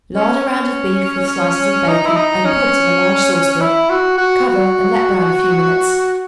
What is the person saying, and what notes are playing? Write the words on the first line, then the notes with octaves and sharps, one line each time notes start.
Lard a round of beef with slices of bacon and put in a large saucepan. Cover and let brown a few minutes.
C#4
D#4
E4
D#4
C#4
E4
F#4
F#4
F#4